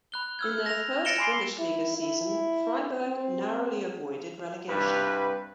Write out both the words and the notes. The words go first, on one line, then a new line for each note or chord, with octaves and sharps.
In their first Bundesliga season, Freiburg narrowly avoided relegation.
B5 F#6 G7
E6 F6 G#6
A#6 F7
A6 A#6 C#7 D7 E7 G7
G#5 B5 C6 D6 C7 D7
E4
E4
C4
C2 G2 B4